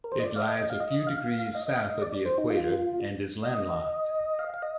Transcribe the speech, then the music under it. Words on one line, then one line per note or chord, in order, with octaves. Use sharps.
It lies a few degrees south of the equator and is landlocked.
A#4
C5
D#5
D5
F5
D#5
D#5
F5
D#5
F5
D#5
D#5
F5
D#5
D5
C5
D#4
F4
D#5
F5
F5
D#5